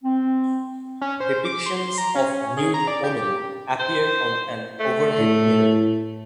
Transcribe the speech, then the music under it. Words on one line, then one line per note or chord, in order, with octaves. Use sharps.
Depictions of nude women appear on an overhead mirror.
C4
C#4
C5
D6
C6
A#5
C#4
G#4
A#5
D5
G4
C5
A3
A2